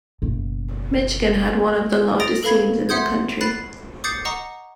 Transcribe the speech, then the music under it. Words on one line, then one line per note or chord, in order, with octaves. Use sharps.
Michigan had one of the largest scenes in the country.
F#1 B2
D#6 A6 A#6 D7 F7
A4 B4 F5 B5 G#6
E5 F#5 C6 D#6 G6 G#6
B5 F#6 A6 C7
D6 D#6 G6 A6 C7 C#7
D#5 F#5 A#5 C#6 D#6